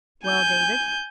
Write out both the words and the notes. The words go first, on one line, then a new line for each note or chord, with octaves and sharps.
"Well, David."
G#5 G6